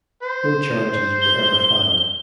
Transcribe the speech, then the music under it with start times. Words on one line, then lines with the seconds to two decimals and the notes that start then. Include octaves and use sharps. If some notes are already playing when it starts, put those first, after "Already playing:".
No charges were ever filed.
0.23 C5
1.22 G7